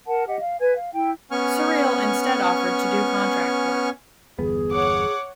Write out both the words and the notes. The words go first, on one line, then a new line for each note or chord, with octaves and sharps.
Surreal instead offered to do contract work.
A#4 F#5 A5
G4 D#5 F#5
F5
B4 G#5 G#6
F5
E4 G5
B3 C#4 G#5 C#6 F6
G1 E2 B3 G#4
C#5 F#5 D6